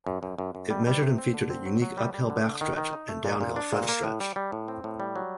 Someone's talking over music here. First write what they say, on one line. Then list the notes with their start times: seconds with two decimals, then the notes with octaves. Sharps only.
It measured and featured a unique uphill backstretch and downhill frontstretch.
0.07 F#2
0.23 F#2
0.38 F#2
0.55 F#2
0.70 G3
0.87 G3
1.02 C3
1.18 C4
1.34 D3
1.50 C4
1.66 F#3
1.82 F#3
1.98 G3
2.14 G3
2.30 D3
2.45 D3
2.61 D#3
2.77 D#3
2.93 D#4
3.09 A3
3.25 A#2
3.41 A#2
3.56 D4
3.73 A#2
3.89 A#3
4.04 A2
4.20 G3
4.36 G3
4.52 A2
4.68 C4
4.84 A2
5.00 G3
5.16 F#3